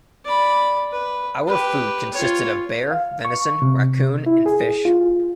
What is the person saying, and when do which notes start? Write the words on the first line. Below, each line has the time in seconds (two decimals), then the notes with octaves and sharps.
Our food consisted of bear, venison, raccoon and fish.
0.25 D5 B5
0.92 B4
1.47 G4 B4
2.14 F4 C#5
2.91 F5
3.25 C#6
3.62 C3
4.26 E4
4.46 G#4
4.85 F4